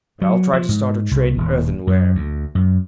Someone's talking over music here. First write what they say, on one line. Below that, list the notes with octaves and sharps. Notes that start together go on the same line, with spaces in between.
But I will try to start a trade in earthenware.
F#3
F3
G#2
C2
D#1
F#2
D2
F#2